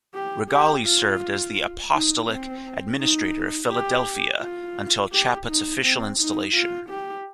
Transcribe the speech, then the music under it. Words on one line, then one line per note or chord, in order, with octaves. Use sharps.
Rigali served as the Apostolic Administrator of Philadelphia until Chaput's official installation.
G4
G4
F4
D#4
C4
D#4
G4
F4
G4
D#4
C4
D#4
F4
G4